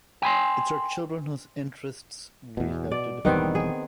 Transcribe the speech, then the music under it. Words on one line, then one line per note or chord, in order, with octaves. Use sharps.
It's our children whose interests we have to defend.
G5 G#5 B5 C6
E2 B2
B2 D5
E1 E2 D#3 G3 B3 C4
G#4